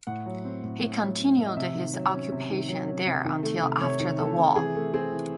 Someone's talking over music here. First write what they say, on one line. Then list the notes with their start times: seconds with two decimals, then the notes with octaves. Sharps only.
He continued his occupation there until after the war.
0.07 A2 F#5
0.26 F#3
0.45 C4
0.64 A2
0.81 A2
1.01 F#3
1.19 C4
1.37 A2
1.44 D#5
1.57 C3 E5
1.75 D#3
1.93 F#3
2.13 C#4
2.32 C3
2.50 D#3
2.69 F#3
2.87 C#4
3.06 C3
3.25 D#3
3.43 A3
3.62 C3
3.81 C3 C#5
4.00 D#3
4.19 A3 A4
4.38 C3
4.56 E3 G#4
4.75 A3
4.94 C4 G#4
5.12 E3